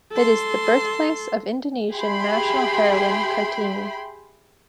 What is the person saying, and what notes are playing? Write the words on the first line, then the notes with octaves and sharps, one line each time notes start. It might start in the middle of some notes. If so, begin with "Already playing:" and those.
It is the birthplace of Indonesian national heroine Kartini.
A4 C6
G4 G#4 E5 G5 B5 C6